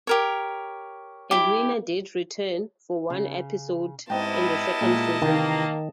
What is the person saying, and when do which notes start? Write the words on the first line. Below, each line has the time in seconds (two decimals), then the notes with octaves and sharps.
Edwina did return, for one episode, in the second season.
0.07 G4 A#4 C#5
1.31 E4 G4
3.10 C#3
4.10 G#2 G3 B3 C4 E4 D#5 G5 A5
4.81 A#2 G#3 G#4
5.22 C3 D#3 E3 A#3